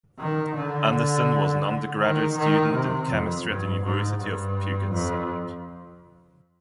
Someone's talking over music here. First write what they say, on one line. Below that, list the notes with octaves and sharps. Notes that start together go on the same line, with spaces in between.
Anderson was an undergraduate student in chemistry at the University of Puget Sound.
D#3
D3
D3
D#3
D#3
C3
F2
G2
G#2
G2
F2